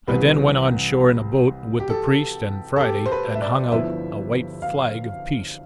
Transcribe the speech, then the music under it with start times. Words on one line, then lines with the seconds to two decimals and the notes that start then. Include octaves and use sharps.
I then went on shore in a boat, with the priest and Friday, and hung out a white flag of peace.
0.08 C2 C3 E3 B4
1.80 G4
1.90 A4
2.76 A4
2.81 G4
3.06 C5
3.12 B4
3.35 E5
3.42 D5
3.72 G1 G2 F3 B3 E4 E5
4.62 F5